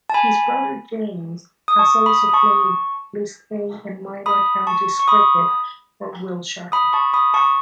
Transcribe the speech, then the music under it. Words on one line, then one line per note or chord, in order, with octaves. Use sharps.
His brother, James, has also played List A and Minor Counties cricket for Wiltshire.
A5
G#5 B5
D#6
A5 C#6
B5 D#6
D#6
A5 C#6
B5 D#6
A5 C#6
C#6
B5 D#6
B5 D#6
A5 C#6
B5 D#6
A5 C#6